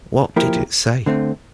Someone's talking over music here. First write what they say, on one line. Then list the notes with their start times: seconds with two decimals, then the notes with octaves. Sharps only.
What did it say?
0.36 F3 A#3 E4 G4 A#4
1.06 D3 A3 C4